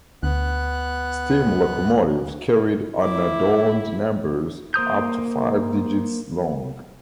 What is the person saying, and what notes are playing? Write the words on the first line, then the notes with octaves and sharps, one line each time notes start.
Steam locomotives carried unadorned numbers up to five digits long.
D2 B3 F#6
E4 D6
A#3 C5 D#6 G6